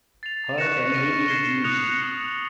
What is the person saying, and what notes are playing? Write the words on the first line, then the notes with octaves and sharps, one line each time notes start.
Her family is Jewish.
A6 C7 F7
C#6 F#6 A#6 C#7 E7
F6 A#6 D#7
G#6 C7 E7 G7
D#6 F#6 A#6 C#7 F7
D#6 F#6 A#6 C#7 F#7